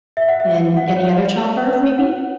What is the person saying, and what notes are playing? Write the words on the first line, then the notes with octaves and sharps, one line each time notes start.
than any other childbirth, maybe?
E5
F#5
E5
F#5
F#5
C#5
B4
C#5
F#5